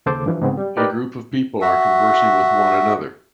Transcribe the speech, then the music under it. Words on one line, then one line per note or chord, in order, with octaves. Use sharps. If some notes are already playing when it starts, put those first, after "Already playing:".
A group of people are conversing with one another.
D#2 C#3 A4 C5 D6
G2 E3 F3
G#2 C#3 B3 C4
G3
D#4 G4 A#4 B4 D5
F#4 E5